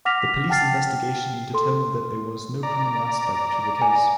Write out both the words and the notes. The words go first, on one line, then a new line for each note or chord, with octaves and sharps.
The police investigation determined that there was no criminal aspect to the case.
F#5 D6 F6 A#6 B6 F7
F#5 G5 A5 F6 A6 C7
A4 C6
D5 A#5
G#5